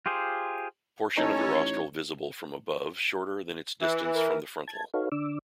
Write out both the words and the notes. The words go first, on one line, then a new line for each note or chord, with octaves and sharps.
Portion of the rostral visible from above shorter than its distance from the frontal.
F4 G4 G#4 C5
A1 C#4 D#4 A4 C#5
E3
A#4
A5 G#6
D#4 F#4 A4 B4 C#5 F5
D3 D4 D6 E6